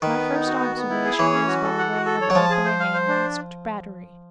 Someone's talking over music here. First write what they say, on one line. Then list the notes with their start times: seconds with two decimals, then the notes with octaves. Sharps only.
My first observation was by way of opening a masked battery.
0.02 D#3 B4
0.17 B3
0.32 D#4
0.46 F#4
0.60 B3
0.76 B3
0.89 E4
1.04 G#4
1.19 E3 C#5
1.34 C#4
1.48 F#4
1.63 A4
1.78 F#5
1.92 F#4
2.06 A4
2.21 C#5
2.30 F#3
2.35 F3 A5
2.50 G#4
2.64 C5
2.80 F5
2.94 C5
3.08 D4